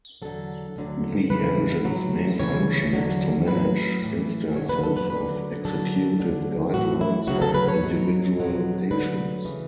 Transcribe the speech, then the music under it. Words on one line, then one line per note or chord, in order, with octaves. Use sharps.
The engine's main function is to manage instances of executed guidelines of individual patients.
E2 D3 F#3 A4
D2 D3 F#3
E2 C#3 E3 B4
A2 F#3
D2 C#3 E3 C#5
E2 D3 F#3
A2 F#3 B4
A2 E3
F#2 D3 F#3 C#5
B4
A4
B4
D2 D3 F#3 B4
F#2 D3 F#3 A4
D2 D3 F#3
A2 E3 F#4
E4
D2 C#3 F#3 F#4
A4
B4
C#5
G#2 F#3
E2 B2 F#3
D2 D3 F#3 B4
C#3 E3